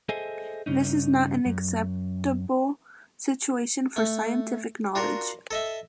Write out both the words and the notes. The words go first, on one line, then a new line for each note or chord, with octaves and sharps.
This is not an acceptable situation for scientific knowledge.
G#4 A4 C5 D#5 E5 G#5
G2 C#3 C#4 D#4
F#2
A3
D4 F4 F#4 A#4
A4 D#5 E5